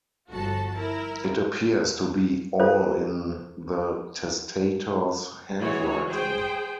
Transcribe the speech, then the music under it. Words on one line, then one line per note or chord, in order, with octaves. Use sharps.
It appears to be all in the testator's handwriting.
G1 F3 F#4 A4 A5
E4 A#4
F4 A4 C5
E3 G#3 F#4 C#5
G#4 C5 G5